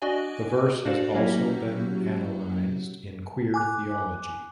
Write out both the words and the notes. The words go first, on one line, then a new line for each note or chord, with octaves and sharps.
The verse has also been analyzed in queer theology.
D4 F#4 D5 D#5 G#5
D4 F#4 A4 C5 D5 F5
F#3 A#3 C#4 E4 F#4 G4
G#5 D6 F#6